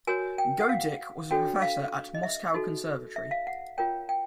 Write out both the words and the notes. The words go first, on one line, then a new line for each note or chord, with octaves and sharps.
Goedicke was a professor at Moscow Conservatory.
F#4 A#4 C#5 G#5
G5
F#5
F5
D4 F#4 A4 C#5 G5
F5
D#5
E5
D#4 F#4 A4
E5
F5
F#5
F4 A#4 C#5 G5
G5